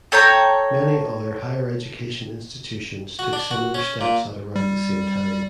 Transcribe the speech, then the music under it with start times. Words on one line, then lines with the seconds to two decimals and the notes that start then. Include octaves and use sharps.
Many other higher education institutions took similar steps at around the same time.
0.12 A4 C#5 G5 A#5
3.19 F#4
3.33 D4
3.51 F#4
3.74 C#4
4.01 A#2
4.56 G3